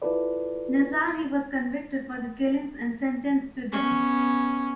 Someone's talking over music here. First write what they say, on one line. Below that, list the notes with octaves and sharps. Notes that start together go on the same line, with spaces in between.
Nazari was convicted for the killings and sentenced to death.
E4 F4 A4 B4 D5
B3 C#4